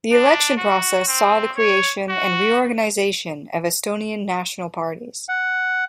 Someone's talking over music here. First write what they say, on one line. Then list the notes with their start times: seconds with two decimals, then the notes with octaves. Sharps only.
The election process saw the creation and reorganization of Estonian national parties.
0.13 D4
0.57 F#4
1.08 C4
1.57 C#5
2.09 F#4
5.29 F#5